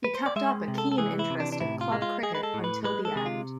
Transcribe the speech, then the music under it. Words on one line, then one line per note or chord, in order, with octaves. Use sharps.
He kept up a keen interest in club cricket until the end.
B4
C5
D5
G#3 E5
C3
A4
A4
E3 G#4
E4
C3
D4
D4
A2 E4
F4
G#3
F4
G#3 G#4
B4
A4
A2
B4
G#3 B4
A4
C3 G#4
F4